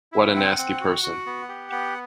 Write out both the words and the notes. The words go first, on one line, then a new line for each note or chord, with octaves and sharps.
What a nasty person!
E4
C4 F#5
C4
F#4
F#4
B3
G4
B3